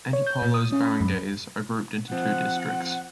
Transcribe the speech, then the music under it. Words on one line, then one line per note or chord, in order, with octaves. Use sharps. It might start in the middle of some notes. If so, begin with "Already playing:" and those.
Antipolo's barangays are grouped into two districts.
C#5
G6
A#2
D#6
C#4
B5
F#2
F3 C4 F#5